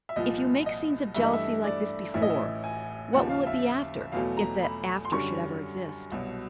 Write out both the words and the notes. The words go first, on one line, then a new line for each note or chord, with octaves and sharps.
If you make scenes of jealousy like this before, what will it be after, if that after should ever exist?
E5
C2 A#2 F3 D#5
D#5
G2 E3 A3 E5
D#5
E5
D5
A1 A2 E3 E5
D#5
E5
G#5
D#2 C#3 F3 F#5
F5
E5
E2 B2 F#3 A3 F5
A#5
B5
C6
F#2 D3 G3 C#6
C2 B2 F#3